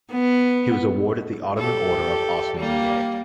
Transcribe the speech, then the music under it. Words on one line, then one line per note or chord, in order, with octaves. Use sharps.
He was awarded the Ottoman Order of Osmanieh.
B3
G4 A4
G3 A#3